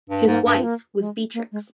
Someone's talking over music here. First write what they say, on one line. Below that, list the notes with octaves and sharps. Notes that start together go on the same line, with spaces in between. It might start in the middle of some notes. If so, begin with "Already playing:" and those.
His wife was Beatrix.
G2
G#2 A#3
G2
C4
A#3
G#3
A#3
G#3